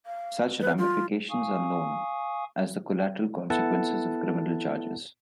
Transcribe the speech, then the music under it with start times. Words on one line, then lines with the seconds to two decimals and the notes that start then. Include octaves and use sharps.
Such ramifications are known as the collateral consequences of criminal charges.
0.06 F5
0.61 B4
0.78 F4
1.30 F5 G#5 C#6 D#6
3.50 B3 E4 A4 F#5 A5